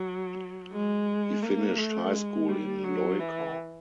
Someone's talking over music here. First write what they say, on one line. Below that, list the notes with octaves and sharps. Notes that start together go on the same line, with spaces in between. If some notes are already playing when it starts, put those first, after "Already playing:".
He finished high school in Loikaw.
Already playing: F#3
G#3
A#3
A3
G#3
G3
F#3
E3